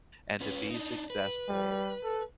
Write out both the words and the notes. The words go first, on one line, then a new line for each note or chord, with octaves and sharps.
and to be successful
C#4 F4 B4
D4 D#4
B4
G3
A4